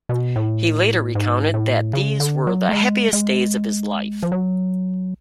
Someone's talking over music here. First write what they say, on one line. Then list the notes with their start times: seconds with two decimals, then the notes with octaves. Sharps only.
He later recounted that these were the happiest days of his life.
0.09 B2
0.36 A2
1.15 G#2
1.54 A2
1.93 C#3
2.20 D3
2.47 F#3
2.69 A3
2.73 G#3
3.13 G#3
4.23 F3
4.32 F#3